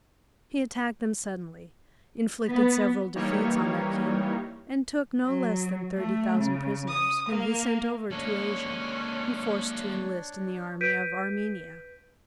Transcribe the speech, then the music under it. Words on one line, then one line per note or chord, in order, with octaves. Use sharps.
He attacked them suddenly, inflicted several defeats on their king, and took no less than thirty thousand prisoners, whom he sent over to Asia, and forced to enlist in the army of Armenia.
B3
E3 G3 A#3 D#4 C#5
F#3
A3
C#3
D#6
A#3
G#3 A#3 C#4 D4 C#5
B4 G6 B6 D7 D#7